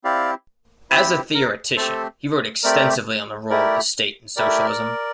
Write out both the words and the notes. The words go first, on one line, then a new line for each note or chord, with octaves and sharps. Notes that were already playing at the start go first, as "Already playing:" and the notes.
As a theoretician, he wrote extensively on the role of the state in socialism.
C4 E4 G4 D5 F5
C4 E4 G4 C5 E5
A#4
A3 C4 G4 A4 C5
A3 C4 G4 A#4 D5
A3 E4 G4 A#4 D5
A3 E4 G4 A#4 D5